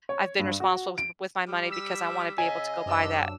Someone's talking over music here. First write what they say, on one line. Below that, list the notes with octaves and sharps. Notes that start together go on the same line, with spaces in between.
I've been responsible with with my money because I wanna be able to go buy that,
C#5
G2
F#4
D7
G3
E6 B6
C#3 D#5 G#5
F#2 C3 D4 E6